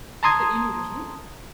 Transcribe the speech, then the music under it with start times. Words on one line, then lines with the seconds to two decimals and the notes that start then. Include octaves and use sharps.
"But you knew him?"
0.23 A5 A#5 C6 D#6 G#6